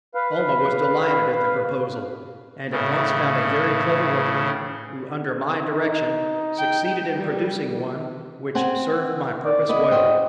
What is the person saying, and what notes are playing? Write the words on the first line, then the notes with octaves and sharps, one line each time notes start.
Almah was delighted at the proposal, and at once found a very clever workman, who under my direction succeeded in producing one which served my purpose well.
B4 F5
A2 C#3
D#4
G5
G3
C4 F#5 G#5
D5
B3 E4 G#4 D#5
F#4 C5 G5